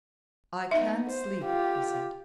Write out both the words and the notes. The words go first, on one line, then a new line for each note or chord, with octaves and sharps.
"I can't sleep," he said.
B3 D#4 E5
C5
F4 G4